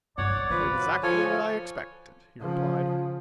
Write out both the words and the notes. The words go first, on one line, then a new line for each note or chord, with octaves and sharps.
"Exactly what I expected," he replied.
G1 G2 C#5 D5 F#5
D3 F3 B4
F#3
F3 A4 C#5 G#5
C#3 F3